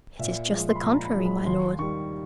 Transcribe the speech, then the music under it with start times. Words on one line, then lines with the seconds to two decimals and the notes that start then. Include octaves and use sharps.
'It is just the contrary, my lord!
0.19 A#2 E5
0.51 F3 G#3
0.69 C6
0.76 B5
0.83 A#2 A#5
1.04 B5
1.15 F3 G#3
1.26 B5
1.46 D#2 C6
1.79 D#3 G3 C#6